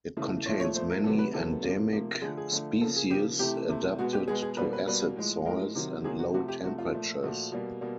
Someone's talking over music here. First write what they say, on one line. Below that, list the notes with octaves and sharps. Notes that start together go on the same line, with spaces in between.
It contains many endemic species adapted to acid soils and low temperatures.
C#3 E3 A3
A#2 F3 A3 C#5
C#5
A#2 F3 A3 C5
A#4
C3 D#3 F#3 B3 A4
B4
C3 D#3 F#3 B3 A4
C3 F3 A#3
C3 F3 A#3
D3 F3 A3 G#4
G#4
D3 F3 A3
C#3 F3 A#3 A4
G#4
C#3 F3 A#3 G4
C3 E3 A3 G4
C3 E3 A3
B2 G#3 B3 F#4
G4
B2 G#3 B3 G#4
G#4
B2 G3 A#3 B4
B4
B2 G3 A#3 B4
A2 F3 G#3
A2 F3 G#3 A#4
C3 D#3 F#3
C3 D#3 F#3 G#4
F#4
C3 F3 A3 F#4
G4
C3 F3 A3 F#4
F4
A#2 F3 A3
A#2 F3 A3 F#4
B2 G3 A#3
B2 G3 A#3